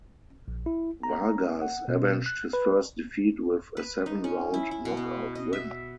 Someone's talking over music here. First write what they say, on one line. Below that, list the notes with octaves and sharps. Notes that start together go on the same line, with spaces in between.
Vargas avenged his first defeat with a seven-round knockout win.
A#1
E4
A#5
F#5
B2
F#6
B4
B4
D#4
C#4
E4
E4
B2
B3
D#5
E5